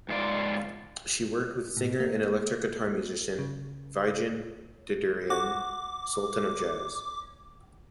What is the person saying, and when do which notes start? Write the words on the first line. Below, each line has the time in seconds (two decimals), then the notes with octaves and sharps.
She worked with singer and electric guitar musician Vigen Derderian "Sultan of Jazz".
0.09 G#2 F4 D5
1.77 A2
2.00 A#3
3.39 C#3
5.30 F#4 D6